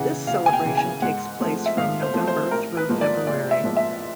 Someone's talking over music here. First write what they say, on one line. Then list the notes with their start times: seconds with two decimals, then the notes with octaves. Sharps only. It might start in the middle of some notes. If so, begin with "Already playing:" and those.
This celebration takes place from November thru February.
Already playing: C#3 E3 F#5
0.27 D2 F5
0.46 G#5
0.53 G5
0.65 C#3 E3
0.77 G#5
1.02 G#2 F#5
1.40 F3 A3 C4
1.66 E5
1.77 G#2 F5
2.02 C5
2.14 F3 A3 C4
2.28 C5
2.51 A1 A#4
2.77 B4
2.89 G#2 F3 A#3
3.01 D5
3.27 A1 D5
3.51 E5
3.64 G#2 F3 A#3
3.77 E5